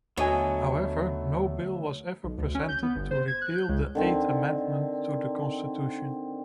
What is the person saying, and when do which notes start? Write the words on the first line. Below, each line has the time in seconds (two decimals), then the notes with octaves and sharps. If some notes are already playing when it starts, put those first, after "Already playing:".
However, no bill was ever presented to repeal the Eighth Amendment to the Constitution.
0.17 D#2 D3 F#3 A3 B3 D4 D#5 G#5
2.24 B1
2.38 D2
2.55 C#4
2.69 G6
2.83 B3
2.96 G1
3.11 C5
3.28 G#6
3.42 F#6
3.56 G6
3.69 C#2
3.95 D3 D#3 C4